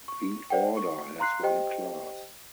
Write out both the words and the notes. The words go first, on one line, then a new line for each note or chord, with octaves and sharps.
The order has one class.
C#6
C5 D5 F#5 G5
C#6
F5 A#5 C6 F#6 C7
G4 C5 D#5 G5